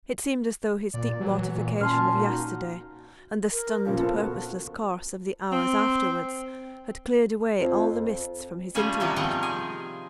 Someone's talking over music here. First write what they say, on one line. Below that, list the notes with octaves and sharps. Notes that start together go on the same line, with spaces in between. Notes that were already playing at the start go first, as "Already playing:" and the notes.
It seemed as though his deep mortification of yesterday, and the stunned purposeless course of the hours afterwards, had cleared away all the mists from his intellect.
A#2 D5
E3 F#3
A#2
A#2 C#4 A5 C6 F6
D#4 F#4
A#4
A#2 C#3 F3 A#4
B3 C4 F4 A4
F#4
C4
F2
C#3 F3 G3 A3 C#4 G#4
C3 E3 A#3 B3
D#3 F3 G3 C4 D#5
G#4